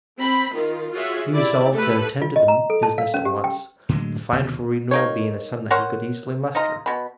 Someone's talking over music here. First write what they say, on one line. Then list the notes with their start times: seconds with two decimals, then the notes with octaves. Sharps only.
He resolved to attend to the business at once, the fine for renewal being a sum that he could easily muster.
0.18 C4 B5
0.55 D#3 F4
0.93 F4 F#4 G#4 C#5 E5
1.33 E4 G4 D5
1.73 A3 G4 A4 B4
2.22 F4
2.36 D#5
2.48 A#5
2.70 A4
2.83 A5
2.98 F5
3.14 C#4
3.25 G4
3.44 G5
3.89 A2 D3 F#3 G#3
4.32 D#2 B2 D3
4.91 A#3 D#4 C#5
5.71 A#4 C5 C#5 F#5
6.55 D#4 F4 D#5 A#5
6.86 B2 B5